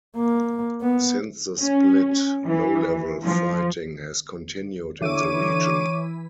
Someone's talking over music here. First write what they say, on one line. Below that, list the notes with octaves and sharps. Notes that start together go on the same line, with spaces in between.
Since the split, low-level fighting has continued in the region.
A#3
B3
C#4
E3
F3
D3 E3 E4 C#5 D6 D#7